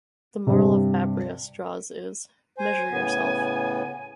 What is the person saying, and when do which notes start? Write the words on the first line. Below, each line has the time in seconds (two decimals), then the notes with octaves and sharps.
The moral Babrius draws is, Measure yourself!
0.47 G2 C3
2.58 C5 G#5
2.91 A2 C#3 B3